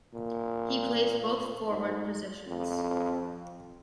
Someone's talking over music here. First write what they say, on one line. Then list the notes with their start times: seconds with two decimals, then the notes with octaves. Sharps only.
He plays both forward positions.
0.14 A#2
1.69 G#2
2.47 F2